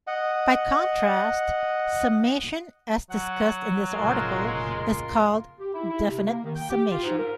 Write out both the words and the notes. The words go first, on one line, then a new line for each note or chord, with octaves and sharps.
By contrast, summation as discussed in this article is called "definite summation".
D#5 F#5
F#3 F#5
F1 A#2 C#3 G#3 F4 A#4 C6
G4
E4
E4
C3
A#3
D#3
G5
G4
F4
G#2
A#4